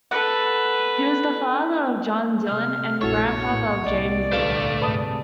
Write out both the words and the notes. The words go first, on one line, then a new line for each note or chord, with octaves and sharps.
He was the father of John Dillon, and grandfather of James Dillon.
A4 B4 F#5
C3 F6
F1 A#1 A3 E4 F#4 A4 C#5
A2 A#3 F#5
C2 G3 D5 D#5
D2 A#2 A3 B4 F5
G#2 C3 B4 A5 D#6